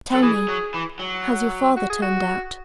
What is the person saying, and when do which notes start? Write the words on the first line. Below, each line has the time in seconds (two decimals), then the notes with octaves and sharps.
Tell me, has your father turned out?'
0.13 F#3 A4
0.22 E3 G#4
0.48 F#3
0.74 E3
0.99 F#3
1.76 F#4
1.90 G#4
2.02 F#4